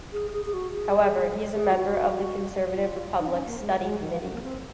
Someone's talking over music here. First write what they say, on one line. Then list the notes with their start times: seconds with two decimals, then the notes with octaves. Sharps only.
However, he is a member of the conservative Republican Study Committee.
0.12 G#4
0.33 G#4
0.45 G#4
0.54 F#4
0.74 G#4
1.56 G#4
1.71 F4
1.75 F#4
2.73 F#4
2.78 F4
3.19 D#4
3.28 C4
3.33 C#4
3.47 A#3
3.60 G#3
3.81 G#3
4.01 D#3
4.11 F3
4.21 F#3
4.32 A#3
4.43 C4